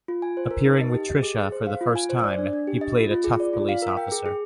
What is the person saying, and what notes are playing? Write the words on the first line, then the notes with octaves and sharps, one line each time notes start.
Appearing with Trisha for the first time, he played a tough police officer.
F4
G#5
C5
A#4
D#4
D#5
G4
D#5
G#4
G#4
C5
F5
F4
G#5
C5
D5
D4
D4
G4
D#5
F4
F4
G#4
D5
F4
F5
A#4
G5
G#4
G#4